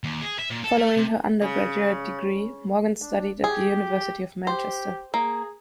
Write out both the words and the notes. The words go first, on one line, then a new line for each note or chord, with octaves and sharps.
Following her undergraduate degree, Morgan studied at the University of Manchester.
D#2
G#4
E5
A#2
A4
A3
C3
C#3
D4
G4 G#4
G4 C5
A#3 G#4